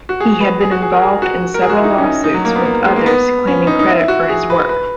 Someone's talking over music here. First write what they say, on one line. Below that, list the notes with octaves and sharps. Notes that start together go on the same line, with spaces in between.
He had been involved in several lawsuits with others claiming credit for his work.
F#4
G#4
B4
G#4
F#4
G#4
A#4
G#4
F#4
A#4
G#4
F#4
E4
D#4
C#4
D#4
D#4
F#3
A#3
B3
A#3
G#3
A#3
B3
C#4
D#4
D#4
E4
E4
F#4
G#4
B4
B4